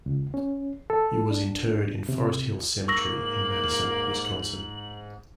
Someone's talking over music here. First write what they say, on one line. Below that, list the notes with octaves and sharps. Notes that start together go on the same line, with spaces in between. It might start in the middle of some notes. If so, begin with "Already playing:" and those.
He was interred in Forest Hill Cemetery in Madison, Wisconsin.
C#2
C#4
A4
D4
C3
G#2 A#3 C#6 E6 A#6 F#7